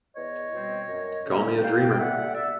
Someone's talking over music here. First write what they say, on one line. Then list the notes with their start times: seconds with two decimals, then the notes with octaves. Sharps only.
Call me a dreamer.
0.15 E2 C#5 D#5
0.52 B2 G3 C4
0.88 F#2
1.25 D3 G3 A#3 C#4
1.61 G2 F5 G5
1.90 G5
1.98 D3 G3 A#3 E5 F#5
2.34 D5 E5